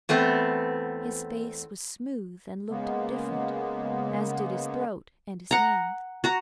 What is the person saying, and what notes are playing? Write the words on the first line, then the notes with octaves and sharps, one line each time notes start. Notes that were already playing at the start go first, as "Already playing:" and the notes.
His face was smooth and looked different, as did his throat and his hands.
E2 A3 B3 C4
C#3 G#3 A#3 B3
F#5 A#5
F#4 A#5